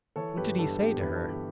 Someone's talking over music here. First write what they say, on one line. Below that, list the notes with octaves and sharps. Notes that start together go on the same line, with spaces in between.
What did he say to her?
E3 A4 C#5
G1 G4 B4
G2 A4
B3 G4
E3 B4
A4
G1
G4